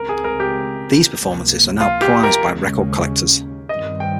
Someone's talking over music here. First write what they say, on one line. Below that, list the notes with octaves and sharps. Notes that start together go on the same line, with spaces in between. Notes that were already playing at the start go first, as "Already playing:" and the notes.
These performances are now prized by record collectors.
Already playing: C#2 C#3 G#3 C4 A#4
G#4
A#4
G4
C#2 C3 F3 A#3
F4
G4
A#4
D#2 C#3 G#3 C#4
G2 D#3 G3 C4 D#5
G5